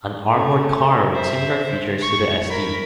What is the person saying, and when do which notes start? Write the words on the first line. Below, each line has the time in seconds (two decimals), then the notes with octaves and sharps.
An armoured car with similar features to the Sd.
0.29 A3 C#4
1.14 C5 E5
2.01 C#6
2.50 A#4 B5